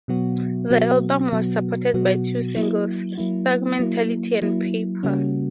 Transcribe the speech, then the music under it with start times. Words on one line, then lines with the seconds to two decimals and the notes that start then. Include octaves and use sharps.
The album was supported by two singles: "Thug Mentality" and "Paper".
0.08 B2 F#3 B3 F#4
0.70 B2 F#3 B3 F#4
1.32 B2 F#3 B3 F#4
1.94 B2 F#3 B3 F#4
2.56 F#3 A#3 E4
3.18 F#3 A#3 E4
3.80 F#3 A#3 E4
4.42 F#3 A#3 E4
5.03 C#3 G3 A#3 C#4 F#4